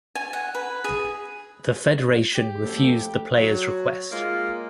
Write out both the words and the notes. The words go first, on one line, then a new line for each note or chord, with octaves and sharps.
The Federation refused the player's request.
G#5
F#5
B4
G#4
G4
F2 A3
F#3 C#5
G#3 A#3 F4